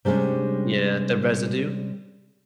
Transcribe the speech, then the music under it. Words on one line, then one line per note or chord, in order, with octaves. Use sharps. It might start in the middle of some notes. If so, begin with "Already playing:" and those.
Yeah, the residue
C3 G3 G#3 C#4 D4